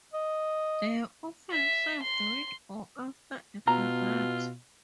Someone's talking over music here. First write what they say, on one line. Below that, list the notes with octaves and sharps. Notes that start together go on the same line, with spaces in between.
They are often served with or after a dessert.
D#5
E5
C6
B2 F4 A#5